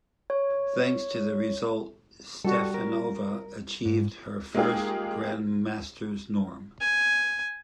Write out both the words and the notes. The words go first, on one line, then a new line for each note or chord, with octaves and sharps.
Thanks to this result Stefanova achieved her first Grandmaster norm.
C#5
G3 F#4 A4
A#4
G#2
G#3 A#3 D#4 F4 G4 G#4
G#5